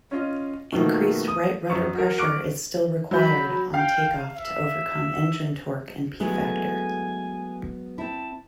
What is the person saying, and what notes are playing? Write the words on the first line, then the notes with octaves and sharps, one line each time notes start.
Increased right-rudder pressure is still required on takeoff to overcome engine torque and P-factor.
C#4 F4 D#5
B2 D#3 F3 A3 A#3
D#6
F#2 C#6
F#4 A#4
C#6 D6 F6 F#6 D7
F#3 B5 G6
F5 G5
E5
F#3 G#3 A3 B3 E4 G#5
C4 E4 A5